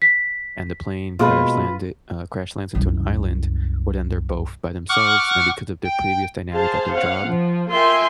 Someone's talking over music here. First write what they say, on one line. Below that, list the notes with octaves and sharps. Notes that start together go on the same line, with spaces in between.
and the plane crash-landed uh, crash lands into an island, well, then they're both by themselves, and because of their previous dynamic at their job,
B6
B2 G#3 A#3 F4 B4
C2 F#2
F#5 C#6 D6 F6 F#6
G5
G#4 C5 F5 A5
C#4 F5 F#5
F3
F4 A#4 E5 G5 G#5 C6